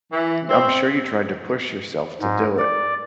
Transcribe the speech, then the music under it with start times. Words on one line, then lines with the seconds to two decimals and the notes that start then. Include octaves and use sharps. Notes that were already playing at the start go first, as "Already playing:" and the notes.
I'm sure you tried to push yourself to do it,
0.12 E3
0.49 C4
2.21 G#2
2.58 D5